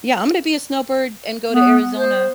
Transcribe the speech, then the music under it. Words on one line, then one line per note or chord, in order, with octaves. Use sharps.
Yeah, I'm gonna be a snowbird and go to Arizona.
B3
C5